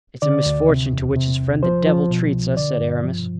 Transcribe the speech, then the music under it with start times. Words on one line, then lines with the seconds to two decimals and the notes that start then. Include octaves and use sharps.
"It's a misfortune, to which his friend, the devil, treats us," said Aramis.
0.22 D3 D5
0.46 D2
0.69 C3
0.93 E2
1.16 C3
1.40 C2
1.63 F3 C5
1.87 F3
2.10 B2
2.34 C2
2.57 D3 D5
2.81 G2
3.04 F3